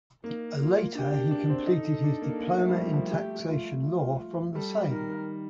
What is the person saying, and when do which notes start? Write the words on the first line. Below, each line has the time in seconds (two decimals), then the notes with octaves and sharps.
Later he completed his diploma in taxation law from the same.
0.24 A#3 D#4
0.60 F4
0.95 D4 G4
1.13 D4
1.31 D4
1.49 C4
1.67 D#4 A4
2.04 D4
2.22 A#3
2.40 A#3
2.57 A3
2.69 G3
2.76 F3
2.94 F3
3.11 A3 G4
3.47 F4
3.83 F4
4.55 G3 A4
4.90 D#3 A#4